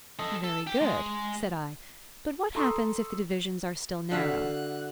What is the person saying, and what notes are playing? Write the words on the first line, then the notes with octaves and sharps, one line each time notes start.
"Very good," said I; "but what happens if the divisions are still narrow?"
A4 D#5
A4
G4
G#3
A4 A#5 C6 C#6 D#6 E6
D3 F#4 E5 F5 B5 F#6